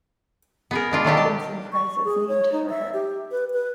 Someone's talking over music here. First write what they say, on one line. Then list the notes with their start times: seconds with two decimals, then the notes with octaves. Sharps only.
The Robinson Prize is named for her.
0.71 B3 G#4 A#4
0.91 B2 D4 F4
1.04 D#3 F#3 D4 G4
1.17 A5
1.73 C#6
2.05 G#4
2.28 C#5
2.52 D#4
2.69 E5
2.94 G4
3.31 B4
3.53 B4